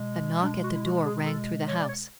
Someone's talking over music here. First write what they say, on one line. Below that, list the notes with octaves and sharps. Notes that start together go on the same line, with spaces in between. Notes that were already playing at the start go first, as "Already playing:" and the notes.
A knock at the door rang through the house.
Already playing: B2 G#3
D4
F#4
E4
F#4
G#4
A4
C#5
D5
C#5